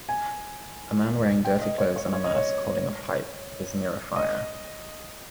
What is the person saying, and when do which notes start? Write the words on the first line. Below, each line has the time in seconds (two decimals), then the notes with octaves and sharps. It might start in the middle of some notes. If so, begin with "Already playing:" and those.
A man wearing dirty clothes and a mask holding a pipe that is near a fire.
0.09 G#5
1.45 G5
1.62 D#5
1.78 C#5
1.96 C#5
2.13 C#5
2.24 D#5
2.36 C#5
4.16 D#5